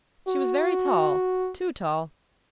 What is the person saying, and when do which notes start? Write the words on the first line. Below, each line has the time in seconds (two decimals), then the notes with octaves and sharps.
She was very tall--too tall.
0.28 F#4